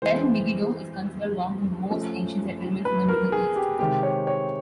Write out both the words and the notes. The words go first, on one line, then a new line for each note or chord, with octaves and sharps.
Tel Megiddo is considered one of the most ancient settlements in the Middle East.
E3 G#3 C4 C5
F3 A3 C#4
B4
A#4
G#4
G4
C3 D#3 G#3 C4 G4
C#5
C#5